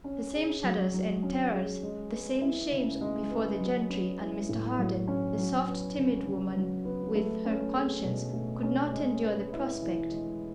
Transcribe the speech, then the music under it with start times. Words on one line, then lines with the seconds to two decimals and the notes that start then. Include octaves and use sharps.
The same shudders and terrors, the same shames before the gentry and Mr. Harden!--the soft, timid woman with her conscience could not endure the prospect.
0.04 C#4
0.34 G#4
0.64 F#3
0.94 F#3
1.23 C#4
1.53 G#4
1.83 G#3
2.12 B3
2.41 E4
2.71 C#3
3.01 G#3
3.31 B3
3.61 F#3
3.89 C#4
4.19 E4
4.49 A2
4.79 F#3
5.08 C#4
5.38 F#3
5.68 B3
5.97 C#3
6.26 C#3
6.57 F#3
6.85 B3
7.15 A3
7.45 C#4
7.75 G#4
8.04 B2
8.33 A3
8.63 C#4
8.93 G#3
9.22 B3
9.53 E4
9.82 E3
10.11 G#3